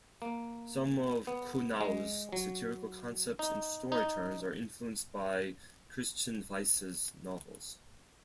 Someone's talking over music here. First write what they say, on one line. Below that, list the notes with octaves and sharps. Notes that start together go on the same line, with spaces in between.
Some of Kuhnau's satirical concepts and story turns are influenced by Christian Weise's novels.
A#3
B3
G#3
F#3
D#4
D#4